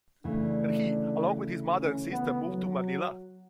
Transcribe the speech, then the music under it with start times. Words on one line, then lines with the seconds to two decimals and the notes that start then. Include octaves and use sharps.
He, along with his mother and sister, moved to Manila.
0.24 D2 C#3 E3 A3 D4
1.73 C#4
2.10 B3
2.47 F#3